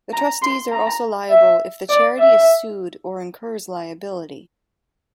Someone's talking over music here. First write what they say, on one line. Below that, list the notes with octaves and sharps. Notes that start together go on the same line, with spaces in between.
The trustees are also liable if the charity is sued or incurs liability.
A#5
C6
A#5
E5
D5
E5